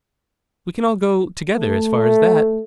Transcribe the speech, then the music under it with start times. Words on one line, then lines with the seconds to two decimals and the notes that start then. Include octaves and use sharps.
We can all go together as far as that.
1.55 A3